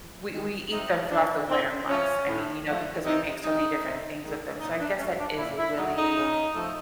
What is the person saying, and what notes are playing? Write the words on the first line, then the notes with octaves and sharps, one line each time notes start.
w we eat them throughout the winter months. I mean, you know, because we make so many different things with them. So I guess that is a really
D#3 G#3
C3 D#4
D#3 G#3 D4
A2 C4
F3 A3 C#4
A2
F3 A3
C3 D#4
D#3 G#3 D#4
C3
D#3 G#3
A#2 D#4
D4
F#3 A3 C#4
D4
A#2 E4
E4
F#3 A3 D#4
D#4
C#3
F3 A3